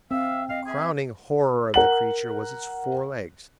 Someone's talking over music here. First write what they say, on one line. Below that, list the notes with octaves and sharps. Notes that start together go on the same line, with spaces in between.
The crowning horror of the creature was its forelegs.
C4 E5 F5
D#5 F5
G#4 E5
A#4 F#5 F#7